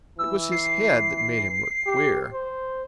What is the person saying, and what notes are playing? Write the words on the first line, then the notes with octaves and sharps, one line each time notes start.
It was his head that made him look queer.
E3 E6
C7
G4
C5